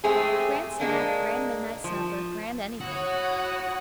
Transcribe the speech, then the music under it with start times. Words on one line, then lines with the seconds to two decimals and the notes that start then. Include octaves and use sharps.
Grand snack, grand midnight supper, grand anything.
0.04 G#3 A3 C4 G4 G#4
0.80 G#3 A#3 D4
1.84 F3
2.81 E4 F#4 C#5 F#5 D#6